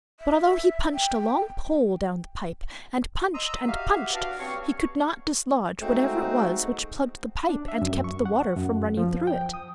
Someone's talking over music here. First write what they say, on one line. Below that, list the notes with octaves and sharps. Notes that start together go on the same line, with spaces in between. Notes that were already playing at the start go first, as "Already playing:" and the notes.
But although he punched a long pole down the pipe, and punched and punched, he could not dislodge whatever it was which plugged the pipe and kept the water from running through it.
E5
G5
D#5 A#5 C6 D#6 E6
F#4 G4 E5 F5
D4 F#4 B4 D5 F5
G2 C4 G4 C#5 C#6
G#3 A3 C4 D#4 F#4
D4
E5
F#2
C#6
F#5
F#2
F3
G5
D#6